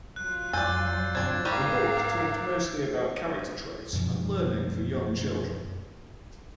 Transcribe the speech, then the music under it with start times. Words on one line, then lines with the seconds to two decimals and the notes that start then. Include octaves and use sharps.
The book talked mostly about character traits and learning for young children.
0.16 F#3 F4 F#6
0.53 F2 G#3 D5 G#5 E6 G6 A6
1.15 F#2 B2 D3 C4 D4 G#6
1.45 G#2 G3 D#4 G4 A#4 F5 D6
3.93 F#2 B2 F3